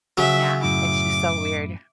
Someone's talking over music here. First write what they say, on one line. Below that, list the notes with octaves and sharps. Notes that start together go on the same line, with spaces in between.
Yeah, it's just so weird.
C#3 F#3 E5
F#2 A2 E4 D6